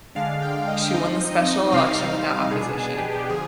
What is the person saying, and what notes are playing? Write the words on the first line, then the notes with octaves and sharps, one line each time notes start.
She won the special election without opposition.
D3 G#3 D4 F5
G5
D#5
F3 C4 D#4
C3 G3 C4 D#4 F5
B2 B3 D4 G#4
G#4
G4
G4
D3 F3 G#4